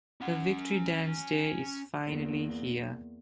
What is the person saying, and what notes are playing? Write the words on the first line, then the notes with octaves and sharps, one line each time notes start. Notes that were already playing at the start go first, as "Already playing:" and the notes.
The Victory Dance day is finally here.
C#4 F#5
E2 A#3